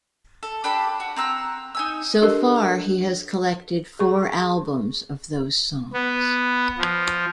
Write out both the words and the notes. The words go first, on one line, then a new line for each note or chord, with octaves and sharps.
So far, he has collected four albums of those songs.
A4
D4 G4 A4 B5
F#4
C4 A#5 E6 F#6
D#4 G#5 E6
D4 G4 A4 A#4 D#5
G#4 C#6
B3
F3